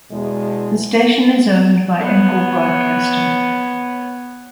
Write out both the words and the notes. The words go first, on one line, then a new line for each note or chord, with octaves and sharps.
The station is owned by Engle Broadcasting.
E2 B2 G#3
B3 C#5